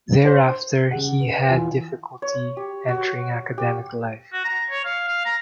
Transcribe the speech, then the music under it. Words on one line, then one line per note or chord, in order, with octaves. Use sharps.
Thereafter he had difficulty entering academic life.
C5
C#3 G#4 F#5
B4
E2 F4 G#5
C#5
G4
F#4
G4
F#4
A#5
C#5
F5
F5
A#5